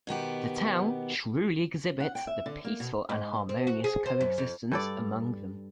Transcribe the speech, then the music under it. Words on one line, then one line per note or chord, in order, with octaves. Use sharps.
The town truly exhibits the peaceful and harmonious coexistence among them.
B2 D#3 B3 G4
F#5
G5
E5
D3
A#3
B2
G#2
C4
F#4
G#4
C5
F#2
F2
G2 A4 D5